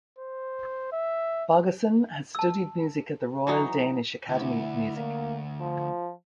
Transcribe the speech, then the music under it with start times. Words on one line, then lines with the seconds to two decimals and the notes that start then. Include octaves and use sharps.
Bogason has studied music at the Royal Danish Academy of Music.
0.19 C5
0.92 E5
2.35 A5 E6
3.47 E3 F#3 D#4
4.29 D2 E4
4.97 A#3
5.60 F3